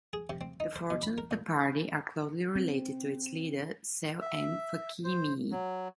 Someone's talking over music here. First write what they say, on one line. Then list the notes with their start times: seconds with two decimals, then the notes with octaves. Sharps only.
The fortunes of the party are closely related to its leader Cehl M. Fakeemeeah.
0.13 G#4
0.30 C3
0.41 C4
0.60 D#4
0.76 C5
0.90 B2
1.03 B5
1.18 A#4
1.31 A#2
2.56 C4
4.21 E5
5.04 C5
5.52 F#3